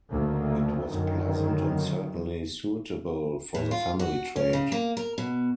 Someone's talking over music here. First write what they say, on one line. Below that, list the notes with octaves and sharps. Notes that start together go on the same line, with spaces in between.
It was pleasant and certainly suitable for the family trade.
D2 C#3 A3 A#3
F#2 D3 D#3
A2
F4
F#4
C#4
C#3
A#3
A#4
B2